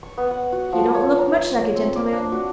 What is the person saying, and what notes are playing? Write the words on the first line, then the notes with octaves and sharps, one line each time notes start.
"He don't look much like a gentleman."
C#6
B3
F#5
F#4
F3
C#5
A#5
C4
D5
D4
F#4